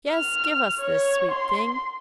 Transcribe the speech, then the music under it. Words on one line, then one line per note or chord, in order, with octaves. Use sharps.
Yes, give us this; sweet thing!
F6
C#5
C6